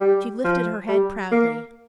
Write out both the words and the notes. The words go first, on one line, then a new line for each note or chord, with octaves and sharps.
She lifted her head proudly.
G3
F3
G3
A#3